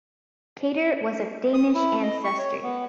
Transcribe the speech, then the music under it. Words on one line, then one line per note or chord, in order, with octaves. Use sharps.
Cater was of Danish ancestry.
D#6
E4
D#5
C#6
C#5
B3